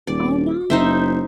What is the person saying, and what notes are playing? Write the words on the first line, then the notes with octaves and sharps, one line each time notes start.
Oh no!
D#1 D5
F#1 D#4 C5 E5